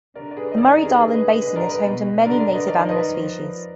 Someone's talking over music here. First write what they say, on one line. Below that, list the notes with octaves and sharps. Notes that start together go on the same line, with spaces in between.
The Murray-Darling basin is home to many native animal species.
D3 A#4 D5
D5
G#4 B4
D#5
D#3 A#4 D5
A#4 D5
G#4 B4
D3 G#4 B4
B4 D#5
B4 D#5
D3 B4 D#5
A#4 D5
B4 D#5
B2
D3 A#4 D5
A#4 D5
B4 D#5
D#3 A#4 D5
B4 D#5
F3